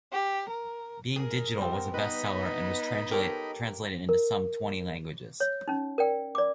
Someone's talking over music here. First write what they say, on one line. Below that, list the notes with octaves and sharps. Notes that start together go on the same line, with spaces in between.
"Being Digital" was a bestseller and was translated into some twenty languages.
G4
A#4
G#4 A#4
G3 B3 C4
B3 D#4 B4 D#5 B5
G4 A4 A#4 C#5
A#4
C#5
C#4 D#4
A#4 D5 G5
D5 D6